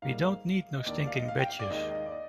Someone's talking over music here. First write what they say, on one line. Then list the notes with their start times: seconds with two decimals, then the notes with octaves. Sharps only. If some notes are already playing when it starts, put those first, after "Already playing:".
We don't need no stinkin' badges!
0.02 G#2 G3 A#3 F5
0.77 D#5
0.86 D#2 D#3 A#3 D4 D5
1.00 D5
1.07 F5
1.14 D#5
1.28 F5
1.39 G5
1.50 F5
1.60 D5
1.70 D#2 D#3 G#3 D#4 D#5
1.91 D#5
2.06 D5
2.12 D#5